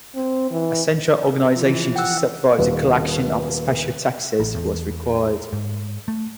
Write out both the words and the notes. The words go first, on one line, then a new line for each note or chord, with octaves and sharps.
A central organisation to supervise the collection of the special taxes was required.
C4
E3
E3 F3
F#5 G5 E6 F#6
D#1 B4
A1
E2
G#2
A3